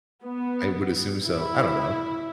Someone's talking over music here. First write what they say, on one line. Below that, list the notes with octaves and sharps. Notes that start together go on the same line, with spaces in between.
I would assume so, I don't know.
B3
E4